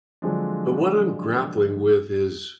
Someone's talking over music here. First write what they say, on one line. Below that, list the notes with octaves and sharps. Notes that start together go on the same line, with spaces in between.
but what I'm grappling with is
D3 F3 F#3 G#3 C4 D4